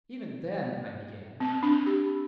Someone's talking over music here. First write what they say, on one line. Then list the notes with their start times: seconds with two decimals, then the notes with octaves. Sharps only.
"Even then--" I began.
1.40 C4
1.63 D4
1.86 G4